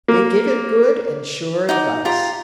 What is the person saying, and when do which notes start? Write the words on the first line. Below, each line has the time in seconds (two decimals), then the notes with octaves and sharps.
They give it good and sure advice.
0.08 A#3
1.69 D#4 F#5 D6
2.05 F4 G4 A#5